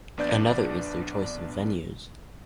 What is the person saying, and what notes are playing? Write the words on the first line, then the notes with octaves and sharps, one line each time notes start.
Another is their choice of venues.
A#1 B3 D4 D5 G6 A6